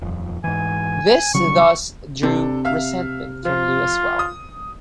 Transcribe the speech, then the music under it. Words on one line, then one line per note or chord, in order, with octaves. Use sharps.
This thus drew resentment from Lu as well.
D#1 F2
G#2 E3 G#5
C#3 F#3 G3 C#6
C3 D4 A4
E5 F5 F6
F3 F4
D#6